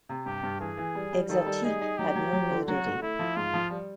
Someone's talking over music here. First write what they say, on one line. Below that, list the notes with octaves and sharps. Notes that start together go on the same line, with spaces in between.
"Exotique" had no nudity.
C3
G2 G4
G2
E3 G#4
E3
G3
G3
D#3 A4
G3
D#4 G#4
D#4
F#3 G4
F#3
F#3
D3
F#3 F#4
D3
A3 E4
F3
G#2 F4
F3
G3